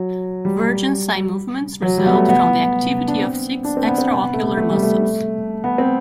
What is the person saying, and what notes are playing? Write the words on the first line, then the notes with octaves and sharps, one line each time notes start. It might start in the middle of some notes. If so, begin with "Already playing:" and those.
Vergence eye movements result from the activity of six extraocular muscles.
Already playing: F#3
G3
F#3
G3
B3
A3
B3
D4
C4
D4
C4
B3
C4
B3
A3
A3
G3
A3
B3
C4